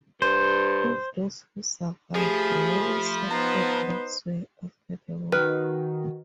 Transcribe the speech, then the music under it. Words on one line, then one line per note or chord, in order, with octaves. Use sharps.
Of those who survived, many settled elsewhere after the war.
G2 C5
F3 A3 G4 G#4 B5
B3 D#4 B4 C5 A#5
D#3 F#4 B4 F6 F#6